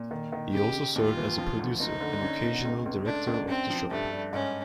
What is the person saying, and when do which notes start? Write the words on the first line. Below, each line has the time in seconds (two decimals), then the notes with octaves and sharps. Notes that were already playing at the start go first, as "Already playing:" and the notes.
He also served as a producer and occasional director of the show.
Already playing: A#2
0.11 D#3
0.32 D#3
0.53 C#3 G4
0.75 C#3
0.96 D#2 F4
1.17 E3
1.38 F3
1.59 D2
1.80 F#1 D#4
2.01 D3
2.22 C#4
2.43 B2
2.65 C#2
2.86 C#2
3.06 A3 D4
3.27 C#2
3.48 F#2 C4
3.70 F3
3.91 G2 A3
4.12 G3
4.33 G#2 C#4